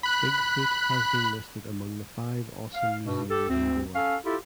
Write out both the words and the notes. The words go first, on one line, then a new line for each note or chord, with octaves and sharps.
Big Foot has been listed among the "five awesome museums in Goa".
B5 F#6
F5
G2 B2
G4 A4
D2 C4
C#4 A4 F5
E4 F4 G4 A4